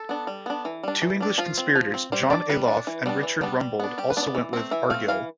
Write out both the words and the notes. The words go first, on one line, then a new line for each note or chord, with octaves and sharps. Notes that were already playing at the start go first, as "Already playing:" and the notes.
Two English conspirators, John Ayloffe and Richard Rumbold, also went with Argyll.
Already playing: A4
B3 D4
G3
B3 D4
E3
G3 D4
E3
G3 D4
F3 F4
C4
F3
C4
G3 C5
D4 D5
G3 B4
D4
E3
G3 B3 D4
E3
G3 B3 D4
G3
B3 D4
G3 G4
B4
B3 D4
D5
E3
A3 C4
E3 E5
A3 C4 F5
E3 F5